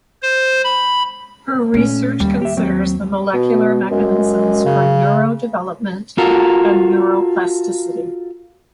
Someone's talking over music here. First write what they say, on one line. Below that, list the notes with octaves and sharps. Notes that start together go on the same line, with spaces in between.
Her research considers the molecular mechanisms for neurodevelopment and neuroplasticity.
C5
B5
A#2 A3 C#4
D#2 G3
G4 E5
F#3 C4
B2
F#2 G#3
C#3
F4 F#4 A4 A#4